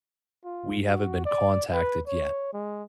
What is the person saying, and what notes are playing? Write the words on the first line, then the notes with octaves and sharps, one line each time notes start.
we haven't been contacted yet?
F4
F#4
D5
B4
C#5
G#3